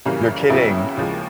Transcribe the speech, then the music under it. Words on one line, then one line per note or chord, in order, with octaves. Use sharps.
You're kidding.
F#2 C#3 E3 G3 A#3
D#2 C#3 F#3 B3 E4
D#2 C#3 F3 G#3